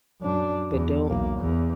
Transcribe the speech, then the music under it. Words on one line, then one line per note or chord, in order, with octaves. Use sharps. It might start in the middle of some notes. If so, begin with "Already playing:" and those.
but don't
F#2 D4
E2
B1 A#3
E2